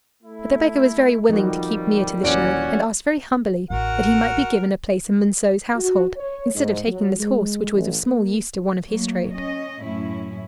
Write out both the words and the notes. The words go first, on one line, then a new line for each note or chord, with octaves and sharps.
But the beggar was very willing to keep near to the Sheriff, and asked very humbly that he might be given a place in Monceux's household, instead of taking this horse, which was of small use to one of his trade.
A3 E4
F2 D#3 F3 G3 D#4 F#4 A#4
D#1 E3 C#4 F#4 D5 D7
A1 F#4 A#4 F#5
F#4
C#5
G#2
F#3
G#3
A1
A#3
F#3 A3 A#3
C#4 D#5
F#2 A2 C#4 E4